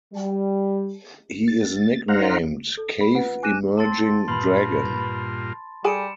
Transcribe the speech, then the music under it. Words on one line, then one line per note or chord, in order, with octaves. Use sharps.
He is nicknamed "Cave Emerging Dragon".
G3
A6
D#4 C5 F5 F#5 A#5
A4
B5
F4 B4 F#5
G#5 D6 F#6 A#6 D#7 E7
C4 A5 C6 A6
G2 A#2 F4 B4 B5 C6
G3 G#4 A4 G#5 C#7 D7 E7